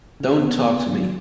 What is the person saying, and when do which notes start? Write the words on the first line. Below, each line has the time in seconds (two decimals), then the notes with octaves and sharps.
Don’t talk to me.
0.20 C#3
0.38 B3
0.56 B3
0.74 C#3
0.92 F#3